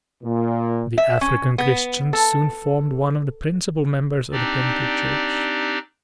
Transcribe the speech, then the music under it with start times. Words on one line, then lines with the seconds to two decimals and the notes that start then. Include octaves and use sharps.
The African Christians soon formed one of the principal members of the primitive church.
0.24 A#2
0.98 E5
1.21 C#4
1.58 B3
2.13 A4
4.32 C4 D4 D#4 G4 D5